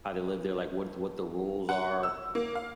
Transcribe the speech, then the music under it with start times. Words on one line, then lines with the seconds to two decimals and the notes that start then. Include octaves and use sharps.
how they lived there, like, what what the rules are,
1.69 F#5
2.03 E6
2.35 A#3
2.55 F5